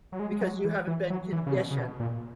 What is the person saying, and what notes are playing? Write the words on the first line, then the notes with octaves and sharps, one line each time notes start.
because you haven't been conditioned.
F#3
G#3
G#3
F#3
E3
E3
F#3
E3
C#3
B2
C#3
B2
A#2